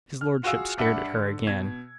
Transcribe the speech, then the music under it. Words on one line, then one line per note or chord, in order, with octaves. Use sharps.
His lordship stared at her again.
F6
F4 F#4 G#4 F5 E6
G2 D4 E5 F#5 B5 C#7
D3
B2 G#6